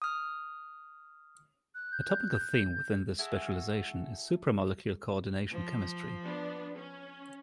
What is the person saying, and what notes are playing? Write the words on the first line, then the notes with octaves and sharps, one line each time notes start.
A topical theme within this specialization is supramolecular coordination chemistry.
D#6 F6
F#6
G6
E4 F#4 G#4 A4
F3
B3 D4
C#4